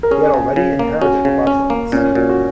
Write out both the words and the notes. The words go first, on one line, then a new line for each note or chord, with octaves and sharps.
He had already inherited Broadlands.
A#4
C#4 G#4
C#3
C#3
A#3
C#4 F#4
C#3
C#4
A#3
A#2 C#4
A#2 F#4
F#4